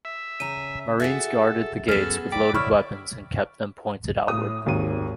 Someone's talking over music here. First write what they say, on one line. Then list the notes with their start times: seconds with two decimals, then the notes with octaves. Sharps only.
Marines guarded the gates with loaded weapons and kept them pointed outward.
0.05 E5
0.40 C#3 A#5 D#7
1.00 F#4 G#4 A4 E5
1.89 F#2 B3 G#4 A4 F6 E7
2.32 D5 G5 B5 D6
2.54 D2 E4 C#5 B5 C#6 F6
4.28 A2 D#6
4.66 G#1 D#2 D#7